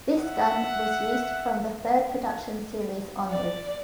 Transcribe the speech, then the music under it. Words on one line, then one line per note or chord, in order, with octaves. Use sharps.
This gun was used from the third production series onwards.
E5 F#5
D5